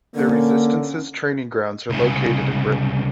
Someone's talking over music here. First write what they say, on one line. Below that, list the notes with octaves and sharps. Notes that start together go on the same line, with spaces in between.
Their Resistance's training grounds are located in Britain.
D3 A#3 C#4
C2 C#3